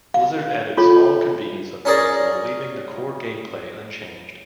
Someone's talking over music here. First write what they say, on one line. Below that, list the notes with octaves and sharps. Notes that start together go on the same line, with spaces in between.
Blizzard added small convenience upgrades while leaving the core gameplay unchanged.
F5
F4 A4 C#5
C#4 D#4 G#4 A#4 D5